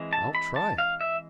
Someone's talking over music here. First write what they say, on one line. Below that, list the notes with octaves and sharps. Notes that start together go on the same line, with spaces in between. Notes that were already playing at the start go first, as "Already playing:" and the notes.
I'll try it.
Already playing: E3 G#3 C4
A5
B5
A5
F5
E5